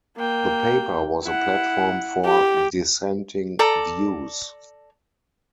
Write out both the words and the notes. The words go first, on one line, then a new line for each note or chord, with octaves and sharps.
The paper was a platform for dissenting views.
A#3 G5
E4 F#5
G4
A4 D5 A#5